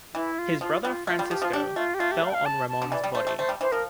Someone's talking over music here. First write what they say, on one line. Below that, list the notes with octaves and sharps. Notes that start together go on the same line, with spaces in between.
His brother Francisco fell on Ramon's body.
E3 E4
F4
F3 F4
G3 F4
A3 F4
G3
F3 G4
F3
F4
D4 G4
A3 F4
G4
A3 F4
G4
F5
G5
F5
A5
A5
D3
E3 D5
G3
A3 C5
A3
A3 C5
G3
E3 C5
F3 A#4